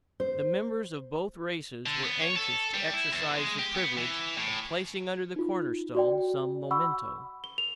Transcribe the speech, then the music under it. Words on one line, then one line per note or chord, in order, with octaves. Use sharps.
The members of both races were anxious to exercise the privilege of placing under the corner-stone some momento.
C5
D3
B3
C#5
A4
G3
E4
E2
G#3
G4
B3
E3
A2
D#4 F4
F#4 D5 G5
F#5 B5 C#6 E6
G7
F7